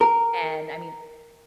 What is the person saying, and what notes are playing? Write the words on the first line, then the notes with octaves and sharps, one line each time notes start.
And, I mean,
A#4